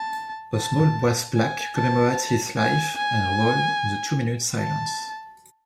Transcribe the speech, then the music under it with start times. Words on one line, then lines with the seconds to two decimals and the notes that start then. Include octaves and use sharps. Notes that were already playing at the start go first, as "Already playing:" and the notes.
A small brass plaque commemorates his life and role in the two minutes silence.
Already playing: A5
0.55 A5
1.35 G#5
1.76 A5
2.57 G#5
2.97 G#5
4.57 A5